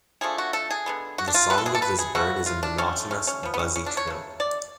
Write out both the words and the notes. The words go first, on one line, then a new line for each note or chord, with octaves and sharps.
The song of this bird is a monotonous buzzy trill.
D3 F3 A3 G#4
F#4
A4
G#4
D3 G#3 B3
F#4
D4
F4
B2 A3 A4 B4
G#4
A4
B4
G#4
C#3 F3 A3 F#4
F4
D4
D3 F#3 A3 C#4
C#4
C#4
F3 B3
B3
C#4
C#4
D4
C#5
C#3 F#3 A3
D5